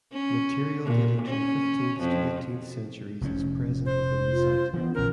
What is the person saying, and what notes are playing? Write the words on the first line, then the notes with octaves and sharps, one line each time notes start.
Material dating to the fifteenth to eighteenth centuries is present within the site.
C#4
A#2
C#4
F2
F1 F2 C#4
C5
F4
E3 B3 D4
A#1 D3 C#4 A#4